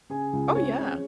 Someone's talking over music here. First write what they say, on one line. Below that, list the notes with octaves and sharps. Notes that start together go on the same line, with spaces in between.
Oh, yeah.
C#3 G#4 G#5
C#2
C4 C#4 C#5
G#3